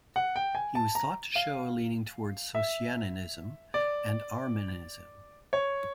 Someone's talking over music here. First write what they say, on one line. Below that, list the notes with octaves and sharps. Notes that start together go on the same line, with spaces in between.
He was thought to show a leaning towards Socinianism and Arminianism.
F#5
G5
G#5
A5
A#5
F5
E5
D5
C#5